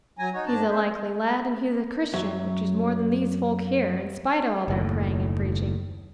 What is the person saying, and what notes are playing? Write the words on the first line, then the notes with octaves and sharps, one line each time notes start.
He's a likely lad, and he's a Christian, which is more than these folk here, in spite o' all their praying and preaching.
F#3 G#5 A#5
D#4 F#4 C#5
G#2 D4 A5 A#5
C#4 C5 E5
F#2 F#3 E5
F#1 D#2 A2